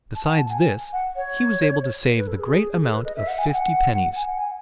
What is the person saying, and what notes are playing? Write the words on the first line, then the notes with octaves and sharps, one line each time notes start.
Besides this, he was able to save the great amount of fifty pennies.
A5
F#5
A5
G#5
F#5
C#5
B4
A4
G#4
G#4
A4
B4
D#5
E5
F#5
G#5
G#5
F#5
G#5
F#5
G#5